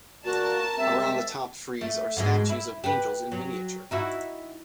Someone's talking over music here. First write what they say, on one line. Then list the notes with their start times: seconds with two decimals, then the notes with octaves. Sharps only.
Around the top frieze are statues of angels in miniature.
0.25 E2 A#3 F#4 A#4 D5 A5 A#5
0.77 G3 G#3 C4 E5
1.81 A3
2.17 G#2 B2 G#3
2.49 E4
2.84 G4 B4
3.32 F#3
3.91 D#4 E4 F#4